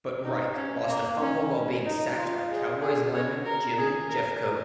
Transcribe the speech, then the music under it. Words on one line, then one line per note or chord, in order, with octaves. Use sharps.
But Reich lost a fumble while being sacked by Cowboys lineman Jim Jeffcoat.
D#4
C#4
A#3
C#4
D#4
F4
G#4
G#4
C#5
A#4
G#4
A#4